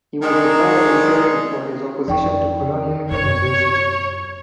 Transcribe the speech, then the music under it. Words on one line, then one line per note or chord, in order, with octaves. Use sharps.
He was admired in Turkey for his opposition to colonialism and racism.
D#3 G#3 D4 D#4 G#4
F2 D#4 D5 G5 C#6
F#2 C#5